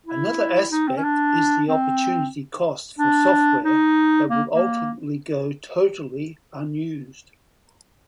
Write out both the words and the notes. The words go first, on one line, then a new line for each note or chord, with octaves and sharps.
Another aspect is the opportunity cost for software that will ultimately go totally unused.
E4
D#4
C4
C#4
D4
C4
D4
D#4
A#3
A#3